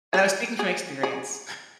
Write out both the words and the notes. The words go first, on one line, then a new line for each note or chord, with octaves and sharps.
and I was speaking from experience.
G#4
G#4
G#4